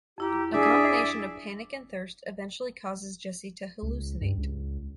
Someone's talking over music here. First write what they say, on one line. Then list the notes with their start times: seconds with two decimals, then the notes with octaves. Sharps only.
A combination of panic and thirst eventually causes Jessie to hallucinate.
0.18 F2 E4 G4 A#5
0.54 F#3 D4 G#4 D5 E5
3.82 C#2
4.21 G2
4.37 C#2